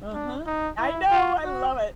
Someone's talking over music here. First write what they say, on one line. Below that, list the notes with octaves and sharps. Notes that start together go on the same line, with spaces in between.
Uh-huh. I know, I love it.
D4
D#4
E4
F4
F#4